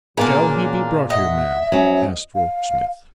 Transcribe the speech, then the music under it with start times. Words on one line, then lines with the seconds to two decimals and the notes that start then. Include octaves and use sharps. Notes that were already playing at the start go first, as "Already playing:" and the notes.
'Shall he be brought here, ma'am?' asked Rokesmith.
0.17 A#2 C#3 F#3 A#3 B3 D4 G#4
1.10 D#5 E5 F#5
1.72 F2 F#3 C#4
2.35 F5